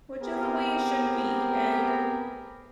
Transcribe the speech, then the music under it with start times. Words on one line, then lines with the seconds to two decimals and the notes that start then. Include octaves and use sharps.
Which is the way it should be, and
0.21 B3 C4 G4 G#4 A#4